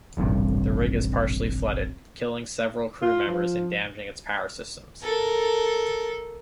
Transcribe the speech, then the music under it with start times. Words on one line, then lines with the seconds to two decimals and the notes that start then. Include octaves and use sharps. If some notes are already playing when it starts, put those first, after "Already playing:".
The rig is partially flooded, killing several crew members and damaging its power systems.
0.17 D#1 A1 G2 C3
3.02 F4
3.27 F3
5.02 A4 A#4